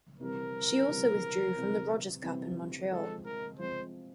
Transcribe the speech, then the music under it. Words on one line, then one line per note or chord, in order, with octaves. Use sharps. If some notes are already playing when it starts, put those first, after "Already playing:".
She also withdrew from the Rogers Cup in Montreal.
C3 E3 G3 C4 A#4
C3 E3 G3 C4
C3 E3 G3 C4
C3 E3 G3 C4
F3 G#3 C4 A4
A#4
F3 G#3 C4 C5